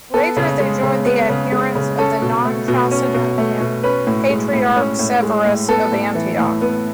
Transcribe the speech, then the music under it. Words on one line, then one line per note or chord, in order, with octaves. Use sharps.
Later, they joined the adherents of the non-Chalcedonian Patriarch Severus of Antioch.
B3 A4
C#3
G#3
C#3
B3
C#3
G#3
C#3
C#4 A4
B2
A3
B2
C#4
B2
A3
B2
C#4 B4
A2
G#3
A2
C#4
A2
G#3
A2
B3 A4
A2
E3
A2
B3